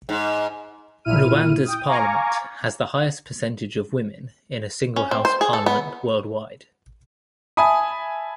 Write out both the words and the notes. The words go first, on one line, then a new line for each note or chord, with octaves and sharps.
Rwanda's parliament has the highest percentage of women in a single house parliament worldwide.
G#2
A#1 A#2 E4 F6 D#7
G5 D#6
F5 G#5 A#5 C#6 D6
C#4
C4
C5
G#4
A4
B3
E5 G#5 A5 B5 D#6